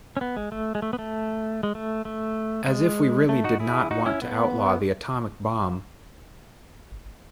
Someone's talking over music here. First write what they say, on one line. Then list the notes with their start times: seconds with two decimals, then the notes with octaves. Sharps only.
As if we really did not want to outlaw the atomic bomb!
0.17 C#4
0.21 B3
0.37 G#3
0.52 A3
0.75 G#3
0.82 A3
0.93 B3
0.99 A3
1.63 G#3
1.75 A3
2.05 A3
2.68 G#3
3.29 A3
3.44 D#4 F#4
3.60 E4 G#4
3.91 D#4 F#4
4.06 C#4 E4
4.22 B3